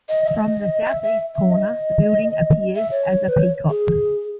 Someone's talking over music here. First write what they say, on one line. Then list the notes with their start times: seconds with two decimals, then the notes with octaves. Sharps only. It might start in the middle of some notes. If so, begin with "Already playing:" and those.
From the southeast corner, the building appears as a peacock.
0.09 D#5
0.25 E5
0.29 D#5
0.88 E5
1.03 E5
1.34 E5
1.50 D#5
2.76 E5
2.91 C#5
3.29 B4
3.38 C#5
3.69 G#4